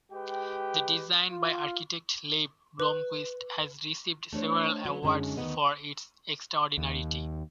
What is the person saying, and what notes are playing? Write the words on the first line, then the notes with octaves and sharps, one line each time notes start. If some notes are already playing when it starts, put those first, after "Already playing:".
The design, by architect Leif Blomquist, has received several awards for its extraordinarity.
G#3 G4 B4 G5
F4
B4
A3 D4 C5 C#5
F#3 C#4 B4
F#2 D3 G#3 A3 C#4 D#4
D2 D#3 E3 G#3 B3 D#5
D#2